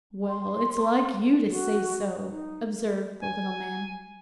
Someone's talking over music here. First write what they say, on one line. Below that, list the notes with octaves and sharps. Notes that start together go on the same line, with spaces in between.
"Well! it's like you to say so," observed the little man.
C6
F#4
D#4
G#5